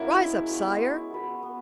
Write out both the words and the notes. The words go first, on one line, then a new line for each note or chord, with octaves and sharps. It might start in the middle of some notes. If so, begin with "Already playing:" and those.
Rise up, sire!
Already playing: A#3 C#4 E4 F#4
G#3
B3 F#4 B4
G#3
B3 F#4 B4
B3